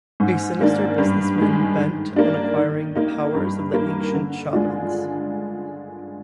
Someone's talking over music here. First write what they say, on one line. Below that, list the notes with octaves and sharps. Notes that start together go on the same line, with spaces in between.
A sinister businessman bent on acquiring the power of the ancient shamans.
G#2
D#3 A#3 D4
G2
D#3 G#3
D#3
A#3 D4
D#3
A#3 D#4
G2
D#3 A#3
D3
G#3 D4 F4